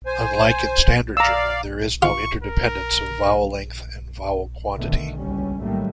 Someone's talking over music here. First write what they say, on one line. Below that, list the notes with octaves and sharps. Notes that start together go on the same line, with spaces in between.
Unlike in standard German, there is no interdependence of vowel length and vowel quantity.
C5 G#5
D5 F5 A#5 E6
F4 C#6
A#4
B2 D3 D#3 A3 B3
F#1 C#2 F#2 D3 G3 C#4
A2 D#3 F#3 G3 A3 A#3